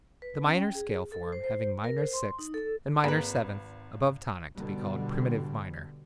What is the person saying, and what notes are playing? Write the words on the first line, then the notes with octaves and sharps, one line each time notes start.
The minor scale form having minor sixth and minor seventh above tonic to be called Primitive Minor.
B4
C#4
G5
G#4
A4
C5
C5
A#4
C5
C6
D#4
A4
G#1 A#3 G#4 A#4 B4 B5
B2 D3 G3